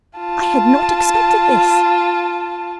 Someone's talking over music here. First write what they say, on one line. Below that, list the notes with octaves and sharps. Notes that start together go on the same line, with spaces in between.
'I had not expected this.
F4 A5